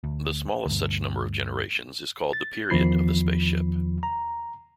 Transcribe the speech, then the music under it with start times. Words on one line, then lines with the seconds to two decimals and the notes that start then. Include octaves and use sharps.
The smallest such number of generations is called the period of the spaceship.
0.04 D2
0.66 D2 G2
2.33 A6
2.70 E2 D#3 F3 B5 C7
4.03 A#5